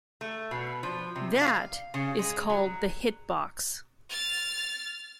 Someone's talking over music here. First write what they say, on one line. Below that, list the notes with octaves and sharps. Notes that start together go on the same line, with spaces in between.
That is called the Hit Box.
A3
B2
F3
C3
F5
C#3
G#3
F#3
F6 A6